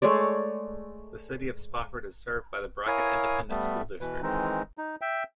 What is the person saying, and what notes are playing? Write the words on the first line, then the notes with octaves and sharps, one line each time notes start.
The City of Spofford is served by the Brackett Independent School District.
G#3 A3 C#5 D5
E4 A#4 C#5 F5 G#5 D#6
G3 A3 B3
B2 E3 B4
D#3 E3 G#3 C4 D#4
D#4
E5 G5